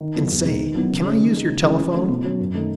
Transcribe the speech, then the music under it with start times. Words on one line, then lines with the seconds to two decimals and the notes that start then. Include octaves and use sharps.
'And say, can I use your telephone?'
0.01 D#3
0.16 F#3 B3 E4
0.31 E2
0.45 B2 G#3 D#4
0.60 D#3
0.75 F#3 B3 E4
0.90 C#3
1.05 G#3 C#4
1.19 D#3
1.35 G#3 D#4
1.50 C#3
1.65 E3 G#3 C#4 E4
1.80 E3
1.94 A3 C#4 F#4
2.09 B2
2.24 F#3 C#4 F#4
2.40 F#2
2.54 D#3 A3 D#4